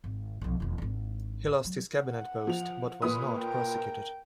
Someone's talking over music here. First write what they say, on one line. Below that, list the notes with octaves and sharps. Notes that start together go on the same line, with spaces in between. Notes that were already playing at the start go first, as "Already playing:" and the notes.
He lost his Cabinet post, but was not prosecuted.
G#1
B1 F2
E1 D#2
G#1 D4
F#3
F#5
F3 F7
A#2 B4 D#6
A#4 G5